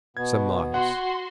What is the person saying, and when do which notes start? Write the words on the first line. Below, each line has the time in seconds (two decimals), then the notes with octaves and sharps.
"Some miles."
0.17 B2 B3 G#6
0.74 F#4 F#5 C6